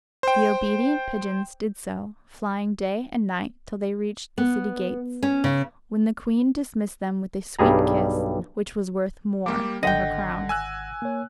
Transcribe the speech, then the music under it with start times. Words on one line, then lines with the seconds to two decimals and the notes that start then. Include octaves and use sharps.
The obedient pigeons did so, flying day and night till they reached the city gates; when the queen dismissed them with a sweet kiss, which was worth more than her crown.
0.23 C5 G5
4.38 B3
5.23 C#4
5.44 C#3
7.59 B1 G2 G3 G#4 A#5
9.46 G3 A#3 G4 D6
9.83 G#1 D3 D#5 F#5 G5 A#6
10.49 G#5 E6 F#6
11.02 A#3 C#5